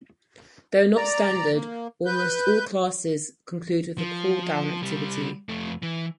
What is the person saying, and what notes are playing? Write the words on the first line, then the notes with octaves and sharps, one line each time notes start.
Though not standard, almost all classes conclude with a cool-down activity.
D5 A#5
A#3
B4 G6
F3
C2 G3
F2 A3
E3